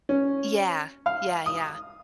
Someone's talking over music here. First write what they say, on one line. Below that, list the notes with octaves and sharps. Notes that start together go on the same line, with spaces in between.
Yeah. Yeah, yeah.
C#4
F5
D#6